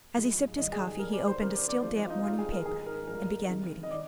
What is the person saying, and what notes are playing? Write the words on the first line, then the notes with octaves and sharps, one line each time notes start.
As he sipped his coffee, he opened a still damp morning paper, and began reading it.
G#2 F3 G#3
G2 D#3 G3 D#5
G#4
G#4
G2 D#3 G3 A#4
D5
C5
C3 D#3 G3 A#4
D5
D5
C3 F3 G#3 C5
D#4
F4
D#4
G#2 G3 F4
G#4
A#4
G#2 D#3 G#3 G#4
A#4
G2 F3 G#3 A#4
C3 D#3 G#3
D#5
D#3 D5